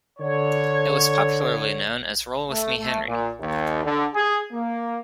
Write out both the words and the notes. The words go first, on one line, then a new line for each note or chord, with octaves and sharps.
It was popularly known as "Roll with Me Henry".
D3 C#5
A3
A3
A#2
D#2
D3
G#4
A#3